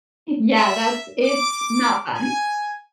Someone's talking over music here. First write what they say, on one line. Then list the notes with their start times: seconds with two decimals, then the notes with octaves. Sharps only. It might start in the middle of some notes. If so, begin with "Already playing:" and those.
I yeah. That's it's not fun.
0.54 E5
1.24 D6
2.15 G#5